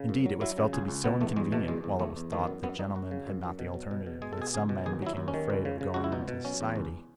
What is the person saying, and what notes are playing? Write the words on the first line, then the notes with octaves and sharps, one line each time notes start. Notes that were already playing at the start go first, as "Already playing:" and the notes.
Indeed, it was felt to be so inconvenient while it was thought that gentlemen had not the alternative, that some men became afraid of going into society.
Already playing: C#3
F#2
F#3
F#3 E4
C#3
C#2 G#4
C#2
B2 B3
E2 A3
E2 G#3
B2 A3
E2 G#3
E2
E2 A3
E2
D#3 A3
F#2 B3
F#2 B3
F#2 D#4
F#2 F#4
C#3
F#2
F#2
B2
F#3
B2
B2
G#3 G#4
A4
B2 G#4
C#2 G#4
B2
D#2 G#4
F#3 E4
D#2
C#4
D#3
C#2
C#3
C#3
C#2 F#4
E4
B2 D#4
B2
F#3 C#4
E2
C#2